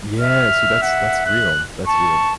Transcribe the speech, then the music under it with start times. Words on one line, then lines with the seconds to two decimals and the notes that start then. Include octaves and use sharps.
Yeah, see, that's that's real, that's real.
0.21 E5 F6
0.82 F#5
1.26 F#6
1.87 A5 C#6